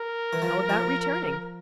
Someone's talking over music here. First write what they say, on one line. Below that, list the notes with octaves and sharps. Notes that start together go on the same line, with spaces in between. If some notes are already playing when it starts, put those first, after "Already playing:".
"How about returning?"
Already playing: A#4
E3
F3
F3